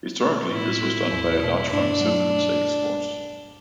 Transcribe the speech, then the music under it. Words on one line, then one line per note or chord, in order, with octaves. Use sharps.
Historically, this was done by a large pharmaceutical sales force.
B2 A3
A2 E4
G3 C4 F#4 A4
E2
B2 A3
G2 D4
F#3 A3